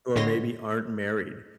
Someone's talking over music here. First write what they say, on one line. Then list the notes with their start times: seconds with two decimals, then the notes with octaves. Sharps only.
or maybe aren't married.
0.15 A2 D3 G#3 C#5 C6 A#6